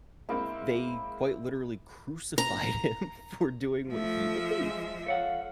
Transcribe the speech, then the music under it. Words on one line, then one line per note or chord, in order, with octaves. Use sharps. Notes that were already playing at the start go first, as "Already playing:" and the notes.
they, quite literally crucified him for doing what he believed,
G#3 A#3 C4 E4 E6
A#5
F3 A3 E5
G#3
A4 C#5 F5 F#5